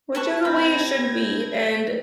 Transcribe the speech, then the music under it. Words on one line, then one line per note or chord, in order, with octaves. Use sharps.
Which is the way it should be, and
B4 A5 C#6
C3 A5 B5 G#6 A#6